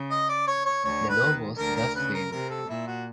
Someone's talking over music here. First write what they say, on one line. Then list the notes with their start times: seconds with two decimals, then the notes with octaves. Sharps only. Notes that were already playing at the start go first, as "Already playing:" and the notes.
The law was thus saved.
Already playing: C#3
0.10 D#5
0.29 D5
0.47 C#5
0.65 C#5
0.84 D2 D3 C#5
1.09 B4
1.21 D#2 D#3
1.58 D2 D3 A#4
1.76 A#4
1.95 C#3 B4
2.14 A#4
2.32 C3 A#4
2.50 A4
2.69 A#2 E4
2.87 F#4